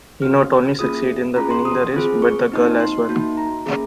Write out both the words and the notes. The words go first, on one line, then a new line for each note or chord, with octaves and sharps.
He not only succeeds in winning the race, but the girl as well.
C4 F#4 F6
A#3 C#4 F4 G#4 D#6
C#4 F4 G#4 A#5
C6
D#6
C4 F4 G#4
C#6
C4 D#4 F#4
C6
A#3 D#4 F#4
A#5
A#3 C#4 G#4